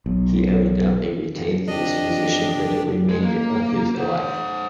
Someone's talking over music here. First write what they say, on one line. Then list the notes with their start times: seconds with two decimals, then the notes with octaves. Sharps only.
He evidently retains this position for the remainder of his life.
0.06 B1
1.68 F2 D4 G4 D#5
3.09 G#3
3.23 A#3
3.95 C5 F#5